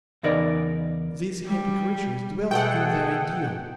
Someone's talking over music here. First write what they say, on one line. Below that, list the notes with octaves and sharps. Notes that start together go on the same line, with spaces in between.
These happy creatures dwelt in the ideal.
E2 C#3 D#4 A#4 B4 D5
G3
B2 A3 B3 G#4 A4 F#5 G5